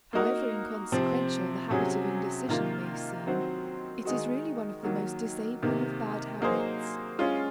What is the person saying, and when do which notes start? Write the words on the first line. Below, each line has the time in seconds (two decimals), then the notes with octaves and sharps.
However inconsequential the habit of indecision may seem, it is really one of the most disabling of bad habits.
0.13 A#3 D#4 F#4 A#4
0.92 C3 F3 C4
1.71 C3 F#3 C#4 G#4
2.49 C3 D#3 A#3 F4 A#4
3.27 D#3 F#3 C4 F#4 C5
4.05 D#3 G#3 D#4 F#4
4.83 D#3 F#3 A#3
5.62 C3 D#3 A#3
6.40 F#3 A#3 D#4 G#4 C5
7.19 G#3 C#4 F4